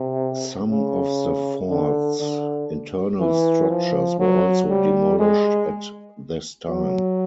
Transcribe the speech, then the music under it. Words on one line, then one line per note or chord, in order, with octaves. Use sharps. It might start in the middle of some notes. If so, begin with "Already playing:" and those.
Some of the fort's internal structures were also demolished at this time.
Already playing: C3
C#3
D3
D3
E3
F3
F#3
G3
G#3
F#3